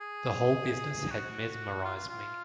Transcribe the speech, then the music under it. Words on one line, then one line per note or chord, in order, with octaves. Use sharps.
The whole business had mesmerised me.
G#4
F#4
F4
F4
F4